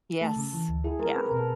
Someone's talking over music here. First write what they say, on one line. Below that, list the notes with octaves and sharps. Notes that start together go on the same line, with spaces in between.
Yes. Yeah.
A3 A4
C#3
E3
D2
E4 G#4
G#3 A#4
C4 B4
A#4
B2
A4